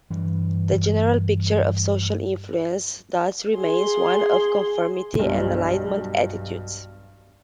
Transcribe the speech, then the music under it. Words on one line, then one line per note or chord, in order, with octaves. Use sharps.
The general picture of social influence thus remains one of conformity and alignment attitudes.
G2 E3 G3
G#4 C6
B1 G2